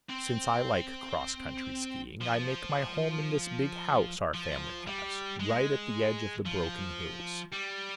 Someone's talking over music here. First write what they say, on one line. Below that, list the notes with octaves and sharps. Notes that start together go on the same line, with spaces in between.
Since I like cross-country skiing I make my home in this big house our family has, right at the edge of the Broken Hills.
C4
F3
F3
G3
G#3
F3
G3